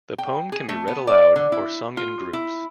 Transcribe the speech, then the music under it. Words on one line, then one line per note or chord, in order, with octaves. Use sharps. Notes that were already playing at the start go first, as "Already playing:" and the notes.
The poem can be read aloud or sung in groups.
G5
G#4
A3
B3
D5
D3
E4
F4
E4